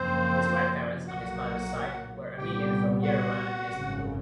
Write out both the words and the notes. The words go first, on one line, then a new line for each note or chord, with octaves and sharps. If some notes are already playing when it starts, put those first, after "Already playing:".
His grandparents on his mother’s side were Armenian from Yerevan and Istanbul.
Already playing: F#1 F#2 C#3 F3 A#3 C4 C5
B1 A#2 F#3 A#3 F#4 F#5
C2 A#2 G3 B3 G4 G5
F#4 F#5
G#1 F#2 C#3